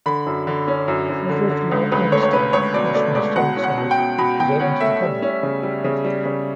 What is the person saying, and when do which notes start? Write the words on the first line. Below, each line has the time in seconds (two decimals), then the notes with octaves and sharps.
Frederick Law Olmsted National Historic Site is open to the public.
0.06 D3 B5
0.26 F#2
0.47 D3
0.68 C#4
0.88 F#2
1.09 F#2
1.30 D3
1.50 D3
1.71 C#2
1.91 C#2 B4
2.12 A3 C#5
2.23 C#5
2.33 C#4 B4
2.53 C#2 C#5
2.74 B2 D5
2.95 A3 D5
3.15 C#2 D5
3.36 B2 F#5
3.57 C#4
3.63 F#5
3.78 B2
3.91 G5
3.98 B2
4.18 B2 B5
4.40 B2 G5
4.60 C#4 F#5
4.81 A3 E5
5.01 G3
5.22 C#4
5.43 C#3
5.63 G3
5.84 C#3
6.05 G3
6.25 C#3